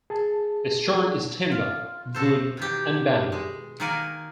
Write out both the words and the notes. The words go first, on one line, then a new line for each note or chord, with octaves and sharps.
Its church is timber, wood, and bamboo.
G#4 A5
F4
F#4 A4 C5
B2 D#3 G4
G#3
D#3 A#3 A#4 D5 G#5